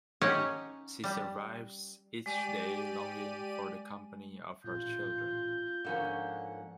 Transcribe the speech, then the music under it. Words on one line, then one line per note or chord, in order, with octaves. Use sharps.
She survives each day longing for the company of her children.
C#4 D#4 G4 C#5 F#5 G#5
G3
G#3 G4 D5 D#7
A1 A#2 F4 G6
G#2 D3 F3 A#3 C#4 F#5